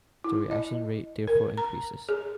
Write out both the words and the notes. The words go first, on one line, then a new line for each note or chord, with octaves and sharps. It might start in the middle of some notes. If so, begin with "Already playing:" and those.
The reaction rate therefore increases.
E4
D#5
A#4
A#5
G#4